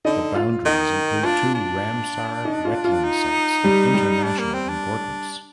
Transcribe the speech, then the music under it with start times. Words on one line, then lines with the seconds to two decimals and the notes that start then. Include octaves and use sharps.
The boundaries include two Ramsar wetland sites of international importance.
0.05 D3 D#4 D#5
0.35 F4 F5
0.65 D#3 D#4 D#5
1.24 D4 F4
1.55 D4
2.45 D#4
2.65 F4
2.84 F4
3.04 D#4
3.64 G3 G4
3.94 G3 G4
4.23 D4
4.39 A#3
4.53 C4
4.68 D4